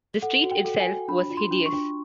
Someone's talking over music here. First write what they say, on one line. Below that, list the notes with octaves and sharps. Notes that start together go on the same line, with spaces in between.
The street itself was hideous.
A4 F#5
F#4
G5
A4
G#5
F#4
D4 B5
F4
C6
D4
C#6
D4